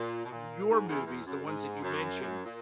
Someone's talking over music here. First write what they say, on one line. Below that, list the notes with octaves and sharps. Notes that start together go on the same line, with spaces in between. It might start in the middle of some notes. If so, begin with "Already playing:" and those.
your movies, the ones that you mentioned,
Already playing: A#2
B2
A#2
G#2
E2
E2
F#2
G#2
F#2
F#2
A#2